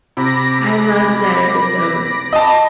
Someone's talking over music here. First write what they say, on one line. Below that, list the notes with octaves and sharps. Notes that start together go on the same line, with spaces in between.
I loved that episode!
C3 B5 D6 A#6
D#5 A5